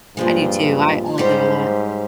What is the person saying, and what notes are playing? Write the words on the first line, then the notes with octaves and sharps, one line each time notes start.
I do too. I I like that a lot.
G2 A#2 F3 G#3
G#2 G3 C#4 G4 C5